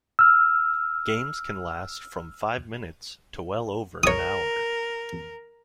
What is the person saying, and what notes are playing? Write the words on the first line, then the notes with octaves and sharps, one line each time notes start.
Games can last from five minutes to well over an hour.
E6 F6
A#4 C#5 D#6